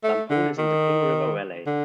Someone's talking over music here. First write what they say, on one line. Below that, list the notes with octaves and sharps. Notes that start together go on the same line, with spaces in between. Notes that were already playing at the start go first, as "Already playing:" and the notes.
Lamphun is in the Ping River valley.
A3
D3
D#3
D3